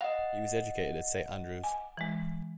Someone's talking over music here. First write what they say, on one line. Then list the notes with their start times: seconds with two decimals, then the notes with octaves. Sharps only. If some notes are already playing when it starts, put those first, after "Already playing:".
He was educated at Saint Andrews.
0.01 D#5 F5 F#5
1.64 G#5
1.97 E3 G#3